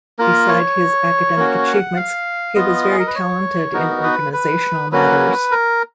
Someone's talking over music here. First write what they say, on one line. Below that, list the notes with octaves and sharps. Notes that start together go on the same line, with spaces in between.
Besides his academic achievements, he was very talented in organisational matters.
A#3 F4 A#4
C#5
A#3 C#4 F#4
F#5
F5
B3 F4 D#5
G#4
A#4
B4
C#5
B3 D#4 F#4 A#4
B4
B4
F#3 A#3 C#4 F#4 B4
A#4